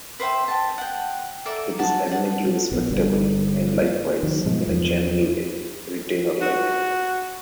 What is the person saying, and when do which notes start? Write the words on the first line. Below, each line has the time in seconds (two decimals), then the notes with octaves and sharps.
It is eminently respectable, and likewise, in a general way, retainer-like.
0.20 B4 C5 E5 G5
0.48 G5 A5
0.78 F#5 G5
1.45 A4 D5 E5 A#5
1.79 F#4 A5
2.07 F#5 A5
2.72 A#1 B3
2.90 G1 G2 D3
3.81 A#3
4.23 D#3 F#3
4.45 G2 B2 F3 G#3
4.67 E2 F3
6.41 F#4